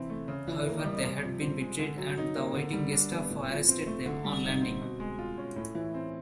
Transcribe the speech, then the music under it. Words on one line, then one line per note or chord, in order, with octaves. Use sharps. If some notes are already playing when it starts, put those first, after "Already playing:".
However, they had been betrayed and the waiting Gestapo arrested them on landing.
Already playing: C3 E3 C4
A3
C#3
E3
A#3
G3
C3
F3
C4
G#3
D3
F#3
D#4
A#3
D3
G3
D4
B3
A2
F3
C4
A3
D3
G3
D#4
C4
B2
G#3
F4
C#4
A2
E3
C4